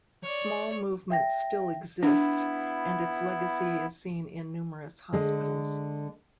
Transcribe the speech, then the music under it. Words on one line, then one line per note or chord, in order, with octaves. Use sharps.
A small movement still exists and its legacy is seen in numerous hospitals.
C#5 D5
E5 G5 A#6
B3 D4 E4
D3 G#3